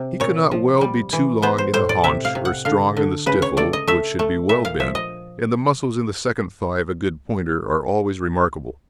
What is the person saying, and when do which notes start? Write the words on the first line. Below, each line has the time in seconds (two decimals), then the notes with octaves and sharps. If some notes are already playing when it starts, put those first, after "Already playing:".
He cannot well be too long in the haunch or strong in the stifle, which should be well bent, and the muscles in the second thigh of a good Pointer are always remarkable.
Already playing: C3
0.20 A#2 C#5
0.51 F3
0.81 G3
1.13 E3
1.42 B3 C5
1.58 C5
1.74 A2 C5
1.89 D5
2.04 C3 E5
2.25 F5
2.35 C3
2.45 F#5
2.65 D3 F5
2.97 D3
3.26 C#3 B4
3.42 C#5
3.57 A3 D5
3.73 D#5
3.87 A3 E5
4.19 A3
4.49 A#2 E5
4.65 F5
4.80 F3 E5
4.95 D#5